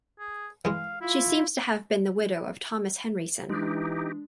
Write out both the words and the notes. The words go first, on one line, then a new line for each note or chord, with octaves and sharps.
She seems to have been the widow of Thomas Henryson.
G#4
E3 G#3 F5
E4 F4
E3 G#3 D4 D#4 G4